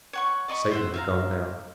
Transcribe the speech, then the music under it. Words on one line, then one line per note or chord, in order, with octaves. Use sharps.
Satan had gone down.
C#5 F#5 C#6
D5 D#5 B5 C#6
C5 E5 F#5
E5 F5 A#5